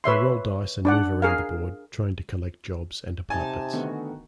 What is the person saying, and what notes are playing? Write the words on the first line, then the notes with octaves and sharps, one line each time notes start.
They roll dice and move around the board, trying to collect jobs and apartments.
B4 C#5 E5 C6
D4 D5 F#5
G#4 A#4 F5
C3 D#4 G#5 A5
D3 D#3 A3 B3 F#4